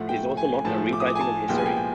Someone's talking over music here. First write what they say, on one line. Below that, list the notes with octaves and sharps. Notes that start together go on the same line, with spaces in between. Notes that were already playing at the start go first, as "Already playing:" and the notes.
It is also not a rewriting of history.
Already playing: A2 F3 A3 F#5
G5
G#5
A2 F3 A3 A5
D6
D#6
D6
G#5
A5
C2 A#2 F3 G#3 B3 G5
G#5
G5
G5